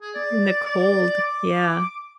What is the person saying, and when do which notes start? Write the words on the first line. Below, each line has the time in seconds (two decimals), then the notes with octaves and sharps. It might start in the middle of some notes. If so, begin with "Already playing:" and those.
In the cold, yeah.
0.01 G#4
0.14 D5
0.65 D5
1.20 D6